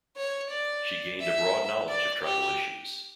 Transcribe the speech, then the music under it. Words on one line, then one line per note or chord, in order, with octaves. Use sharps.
She gained a broad knowledge of tribal issues.
C#5
D5
E5
D5
G4